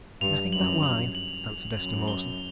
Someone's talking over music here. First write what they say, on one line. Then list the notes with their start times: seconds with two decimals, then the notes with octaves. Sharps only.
"Nothing but wine," answered Esther Mawson.
0.21 G2 F7
0.53 F#2 F#7
0.83 F#7
1.15 F#7
1.77 F#2 F7
2.08 G7